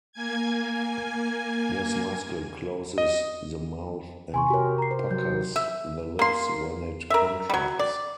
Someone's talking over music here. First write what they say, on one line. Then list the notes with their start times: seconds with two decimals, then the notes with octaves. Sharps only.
This muscle closes the mouth and puckers the lips when it contracts.
0.12 A#3 G#5 G#6
2.98 D#5
4.34 C3 G#5 C6 C#6
4.50 F#4 G4 A#4 C#5
4.78 A#5 C7
4.91 C5
5.11 F#3 G6
5.56 E5
6.19 A#3 C6
7.10 A#4 E5
7.50 F#3 G3
7.79 D5